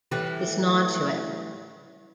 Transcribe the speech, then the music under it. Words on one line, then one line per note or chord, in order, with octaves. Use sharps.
this nod to it.
A2 E3 G3